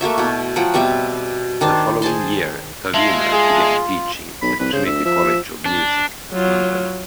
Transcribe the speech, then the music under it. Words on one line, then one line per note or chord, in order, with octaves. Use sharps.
The following year Tavener began teaching at Trinity College of Music, London.
A3 A#3 F#4 E5
B2 E4
F3 F#3 F#5 G5
B2 G3 C4 E5
D#3 D4 C5 A5
G#4 C5 A5 C6
G#3 F4 E5 A5
G#4
B1 B5
C2 B4
C#3 C5
D2 E5
F3 E5
D4
F#3 F4